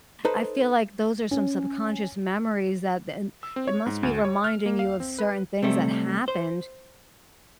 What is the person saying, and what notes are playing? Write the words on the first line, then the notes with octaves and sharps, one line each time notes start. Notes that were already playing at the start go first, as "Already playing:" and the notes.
I feel like those are some subconscious memories that then it must be reminding you of certain things that happened
D#4 A4 B4 C5
C#4
E6
C4
C#5
G#2
D2
C#5
F6
A#3
F5
C4
B4
C3 G3 A3
C5